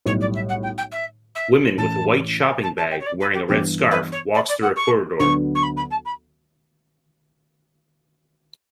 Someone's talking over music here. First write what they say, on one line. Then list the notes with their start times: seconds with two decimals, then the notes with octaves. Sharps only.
Women with a white shopping bag wearing a red scarf walks through a corridor.
0.06 B1 A2 G3 C#5
0.20 D5
0.35 E5
0.49 F#5
0.63 G5
0.77 G5
0.92 E5
1.35 E5
1.77 A2 E3 A3 C#4 A5
2.63 A5
2.77 A5
2.91 G5
3.00 C#5
3.06 D5
3.20 B4
3.33 G4
3.48 G2 E3 B3 G4
3.91 B4
4.12 C#5
4.34 D5
4.48 D5
4.62 F#5
4.76 C#6
5.19 D2 D3 F#3 B3 C#6
5.55 C#6
5.63 B5
5.76 B5
5.90 A5
6.05 B5